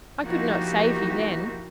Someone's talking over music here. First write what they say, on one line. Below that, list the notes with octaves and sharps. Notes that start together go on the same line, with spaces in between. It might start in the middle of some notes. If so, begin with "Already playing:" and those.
I could not save you then.
F3 A#3 D#4 E4 F#4 G4